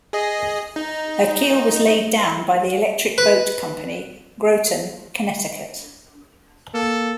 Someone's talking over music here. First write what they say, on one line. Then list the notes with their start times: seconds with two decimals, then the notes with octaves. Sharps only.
Her keel was laid down by the Electric Boat Company, Groton, Connecticut.
0.13 G#4 D#5
0.76 D#4
3.18 B4
6.74 A#3 A4